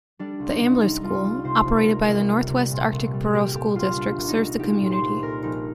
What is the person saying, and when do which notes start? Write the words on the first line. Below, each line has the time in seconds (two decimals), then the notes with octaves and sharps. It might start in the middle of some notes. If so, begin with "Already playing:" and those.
The Ambler School, operated by the Northwest Arctic Borough School District, serves the community.
0.19 G3 D4
0.40 C2
0.51 D#4
0.61 C2
0.82 G3 D#4
1.03 G3 F4
1.24 G3
1.44 C3 C5
1.66 C2
1.77 A#4
1.87 C3
2.08 C2
2.28 G3
2.50 C3
2.71 A#2
2.91 C2
3.13 G3
3.33 A#2 G4
3.54 A#2 G4
3.76 C2 F4
3.96 C2 D4
4.17 C2
4.28 D#4
4.38 C2
4.59 C2 G4
4.81 A#2
4.91 C5
5.01 C2
5.22 A#2 A#4
5.43 A#1 D#4